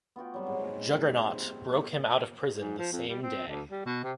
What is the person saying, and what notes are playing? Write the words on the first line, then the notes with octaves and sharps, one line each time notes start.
Juggernaut broke him out of prison the same day.
B3 F4 F#4 G5
F#3 G3 C4
G#2
C4 E4 G4
C4 D#4
A3 G4 A4
G#2
F3
F2
G3
C4
D2
G3
B2
C3